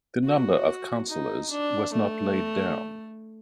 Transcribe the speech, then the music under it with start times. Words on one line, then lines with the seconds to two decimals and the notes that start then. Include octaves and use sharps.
The number of councillors was not laid down.
0.24 F#4
1.09 D#4
1.51 D4
1.93 A3